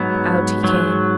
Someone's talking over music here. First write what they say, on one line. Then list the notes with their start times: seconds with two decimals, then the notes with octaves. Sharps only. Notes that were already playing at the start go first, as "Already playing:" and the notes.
Out he came.
Already playing: G#2 F#3 B3
0.64 G#2 F#3